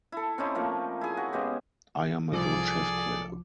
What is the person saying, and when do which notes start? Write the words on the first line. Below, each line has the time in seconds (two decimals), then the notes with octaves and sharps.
I am a good chess player.
0.12 E4 A4
0.38 C4 C#4 D#4 E4
0.55 F3 A3 A#3
1.01 E4 G#4
1.17 F#4
1.33 C#3 G#3 B3 G4
2.32 C2 F3 G#4 A4 D5 D6